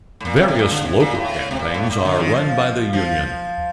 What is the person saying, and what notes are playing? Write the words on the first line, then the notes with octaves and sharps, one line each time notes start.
Various local campaigns are run by the union.
A2
A#2
C3
C3
A#2
D3
C3
A#2
A2
C3
A#2
A2
A#2
D3
D#3
F3
F3